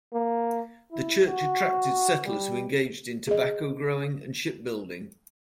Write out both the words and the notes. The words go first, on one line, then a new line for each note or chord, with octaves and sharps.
The church attracted settlers who engaged in tobacco growing and ship building.
A#3
E4
F#4
G3
G#4 D#5